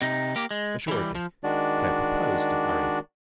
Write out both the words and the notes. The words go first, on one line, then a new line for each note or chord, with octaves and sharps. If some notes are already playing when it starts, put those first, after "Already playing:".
Assuredly Claire proposed to hurry.
C3 D#4
A#3 G4
G#3
E3 G3
F3
D#3 G#3 D4 F#4 D5